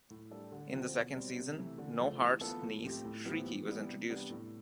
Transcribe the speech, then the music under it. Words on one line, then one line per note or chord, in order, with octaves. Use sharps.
In the second season, No Heart's niece Shreeky was introduced.
A2
G3 D4 A4
D3
F3 C4
B2
G3 C4
C3
E3 A3 E4
D3
F3 A3
E3
B3 F4 A4
A2
F3 A3 C4 G4
A2
F3 B3 E4 G4
E3
G3 B3 E4
C3
G3 B3 D4
A2